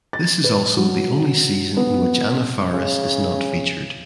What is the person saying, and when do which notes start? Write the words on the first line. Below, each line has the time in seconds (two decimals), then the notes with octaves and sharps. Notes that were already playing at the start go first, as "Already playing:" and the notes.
This is also the only season in which Anna Faris is not featured.
0.13 A6
0.44 B4
0.77 F#3
1.77 B3
2.72 C#3